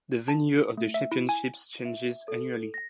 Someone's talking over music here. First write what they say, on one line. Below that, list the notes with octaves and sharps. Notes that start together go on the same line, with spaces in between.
The venue of the championships changes annually.
A5
A3
E5
E4
G#5
E5
A4
A#6